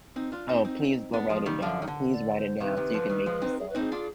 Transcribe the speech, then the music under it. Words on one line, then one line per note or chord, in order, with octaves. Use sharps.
Oh, please go write it down. Please write it down so you can make you some.
C4 D#4
D4 F4
C4 D#4
C4 D#4
B3 D4
F3 G#3
D#3 G3
D3 F3
D#3
D3
D5
C5
C3 D#3 B4
C3 D#3
D3 F3
D#3 G3
F3 G#3
C4 D#4
G#4
B4
C4 D#4 G#4
D4 F4